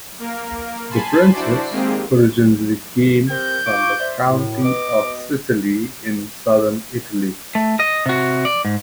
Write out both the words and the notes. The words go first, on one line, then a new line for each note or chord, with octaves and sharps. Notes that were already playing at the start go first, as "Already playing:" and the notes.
The Princes originally came from the County of Sicily in Southern Italy.
A#3 A#4
G#5 A5 B5 C6
D4 E4 F#4 C5 D5
D#3 G#3 A#3 C4 G4 G#4
C4 G4 A#4 G6
F4 C#6 D6
C5 D5 E5
F#2 A2
B2 B3 D#5 D6
A3
D#5
C3 F#4
D5
G#2